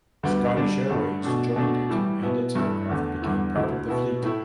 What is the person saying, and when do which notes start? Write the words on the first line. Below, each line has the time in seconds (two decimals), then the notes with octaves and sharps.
Scottish Airways joined it and its aircraft became part of the fleet.
0.23 D2 D3 G3 B3
0.56 D3 G3 D4
0.89 G2 D3 A3
1.23 B2 A3 D4
1.56 B2 A3 D4
1.90 A2 E3 G3 E4
2.22 B2 B3 E4
2.55 G2 E3 A3 E4
2.89 E2 D3 A3
3.22 E2 D3 G3 E4
3.55 D2 D3 A3 E4
3.88 B2 B3 E4
4.22 A2 A3 E4